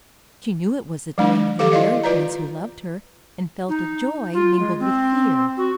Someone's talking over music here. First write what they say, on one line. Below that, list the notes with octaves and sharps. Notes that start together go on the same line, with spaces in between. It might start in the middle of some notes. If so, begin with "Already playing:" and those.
She knew it was the doing of the fairy-prince who loved her, and felt a joy mingled with fear.
F#3 G#3 D4
D#3 F3 G4 A4 F5 D6
E4 D5 D#5 F5
F4 B4 D5 A#5
D#4
F4
G#3
C4
F#4